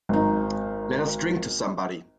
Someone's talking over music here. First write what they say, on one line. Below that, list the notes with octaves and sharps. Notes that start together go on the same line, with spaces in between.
Let us drink to somebody.
G#1 D#4